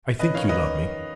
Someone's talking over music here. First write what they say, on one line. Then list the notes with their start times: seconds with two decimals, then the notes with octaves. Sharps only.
I think you love me.
0.19 C#4 B4 D#5
0.34 D#3 C#5 F5
0.49 D#3 B4 D#5